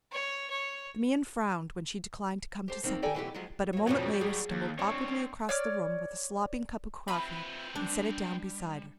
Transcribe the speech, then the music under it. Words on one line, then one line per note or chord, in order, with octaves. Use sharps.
The man frowned when she declined to come to supper, but a moment later stumbled awkwardly across the room with a slopping cup of coffee and set it down beside her.
C#5
C#5
G4 C5 A5
D2 D#3 A#3 C4
G4 A4 A#4 D5 G5 G#5
B2 D3 E3 F#3 A3 G4
F3 F#3 G#3
F#3 A#3
F2 B2 F#3 G3 C#4
G#4
D#2
C4 D4 C#5
C#5 D5 F6
C4 F4 B4 E5 B5
G3 D4